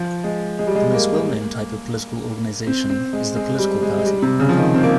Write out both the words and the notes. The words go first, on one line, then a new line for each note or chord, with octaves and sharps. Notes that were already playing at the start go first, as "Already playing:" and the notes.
The most well known type of political organisation is the political party.
Already playing: F3
G#3
G#3
G3
G#3
A#3
C4
C4
G#3
G#3
G3
G#3
G#3
G3
C3
C#3
F3
D#3
C4
A#3